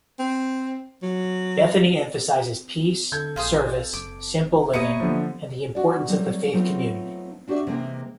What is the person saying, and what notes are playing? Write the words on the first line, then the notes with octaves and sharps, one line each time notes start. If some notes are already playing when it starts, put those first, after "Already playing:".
Bethany emphasizes peace, service, simple living, and the importance of the faith community.
C4
F#3
D3 A4 G6 G#6
A#1 G#4 C5 F5
F#1 D6
A#3 B3 E4 G4 C#5 D#5 C#7 D#7
D3 F3
F#4 D5
F#3 G3 A3 C4 D#4
F#3 A3 B3 C4 D#4 F4
D4 F#4 G4 C5 D5 E5
C3 E3 G#3 A#3 A#4 G5